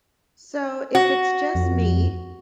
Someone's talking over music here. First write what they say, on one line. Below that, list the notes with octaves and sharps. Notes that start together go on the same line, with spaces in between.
So if it's just me,
F#4
F2